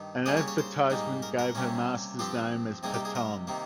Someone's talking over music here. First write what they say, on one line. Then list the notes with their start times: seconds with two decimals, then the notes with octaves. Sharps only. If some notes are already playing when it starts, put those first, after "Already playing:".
An advertisement gave her masters name as Patton.
Already playing: G2 D#3
0.26 C#3 G3 A#3 C#4 D#5
0.37 C#5
0.48 C#5
0.58 C5
0.90 G#2 G3 A#3 D#4
1.22 A#4
1.39 A#4
1.55 C3 G3 A#3 C#4
2.19 G2 F3 C4 G4
2.83 C3 G3 A#3 D#4 G#4
2.94 G4
3.05 G#4
3.15 A#4
3.47 C3 D#3 A#3